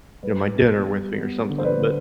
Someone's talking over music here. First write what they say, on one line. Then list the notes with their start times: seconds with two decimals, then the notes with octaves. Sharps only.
you know, my dinner with me or something, but
0.23 G3 B4
0.55 B3
0.86 G3
1.18 B3
1.49 D3
1.58 C5
1.64 B4 D5
1.80 D3